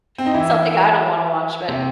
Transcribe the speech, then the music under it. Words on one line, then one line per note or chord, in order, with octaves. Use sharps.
but something I don't wanna watch, but
C4
D#4
E3 E4
C3 C4